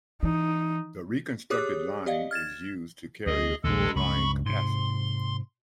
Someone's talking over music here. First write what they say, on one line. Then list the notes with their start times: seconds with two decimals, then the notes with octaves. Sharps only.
The reconstructed line is used to carry the full line capacity.
0.23 E3 D#4
1.50 G4 G#4 C#5 D6 D#6 F#6
2.06 G4 D5 D#5 F5
2.31 F6 G#6 A6 E7
3.26 D2 G#4 D#5
3.64 A#1 D#2 G#3 A4
3.96 C#2 G2 B5 C#6
4.46 G#2 C3 C6